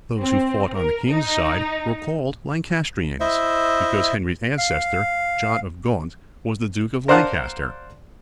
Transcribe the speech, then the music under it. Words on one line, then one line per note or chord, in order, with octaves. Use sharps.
Those who fought on the king's side were called Lancastrians, because Henry's ancestor, John of Gaunt, was the duke of Lancaster.
C4
A#4
D#4
E4 C5 D#5 E5
F5
A#4 C5 D5 F5 F#5 A5